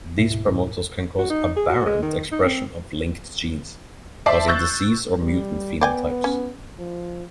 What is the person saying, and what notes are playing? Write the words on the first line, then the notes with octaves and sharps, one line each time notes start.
These promoters can cause aberrant expression of linked genes, causing disease or mutant phenotypes.
D2 G#2 B2 E4
F#4
D#4
G#4
F#4
G#3
D#3
D#4
C4
C5 D5 E5 A5 D6 C7
C#6 E6 F#6 G6 A6
G3
B3 D5 G5 G#5
C#4
F3